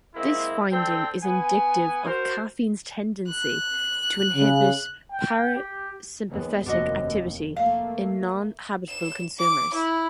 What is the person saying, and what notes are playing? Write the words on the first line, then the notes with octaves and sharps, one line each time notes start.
This finding is indicative of caffeine's tendency to inhibit parasympathetic activity in non-habitual consumers.
G#3 A#3 C4 E4
D3 C4 A4 G5
B3 G#5
F#4 A#4 C5
F#6
C#3
G5
G4
D#2 G#3 B3
F1 D#2 D4 F#4 D#5
A3 A#3 F5
E7
D6
E4